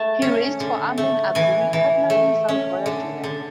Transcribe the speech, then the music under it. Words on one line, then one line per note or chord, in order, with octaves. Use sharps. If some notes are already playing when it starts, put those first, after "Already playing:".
He raced for Amlin Aguri, partnering Salvador Duran.
Already playing: A3 A5
C#4
D3
A3
E3 G#5
E3
A3
C#4
D3
D3